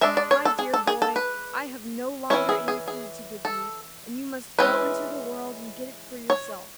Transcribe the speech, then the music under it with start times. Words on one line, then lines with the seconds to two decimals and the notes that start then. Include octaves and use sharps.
'My dear boy, I have no longer any food to give you, and you must go into the world and get it for yourself.
0.01 G#3 D4 E5
0.17 D5
0.31 C#5
0.45 A4
0.59 G#4
0.74 A4
0.87 G#4
1.02 A4
1.16 B4
2.30 E3 A3 C#4 E4 C#5
2.49 G#4
2.68 G#4
2.88 G#4
3.45 A4
4.59 E3 G#3 C#4 E4 B4
6.30 C#5